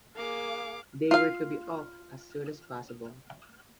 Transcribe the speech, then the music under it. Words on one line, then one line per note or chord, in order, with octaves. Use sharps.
They were to be off as soon as possible.
A#3 G#4 F5 D6
F4 F5